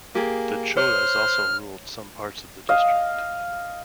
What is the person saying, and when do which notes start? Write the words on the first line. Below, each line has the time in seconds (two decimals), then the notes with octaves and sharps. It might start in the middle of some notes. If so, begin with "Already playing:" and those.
The cholas also ruled some parts of the district.
0.15 A#3 G4 G#4
0.77 C5 C#5 F6
2.69 D#5 F5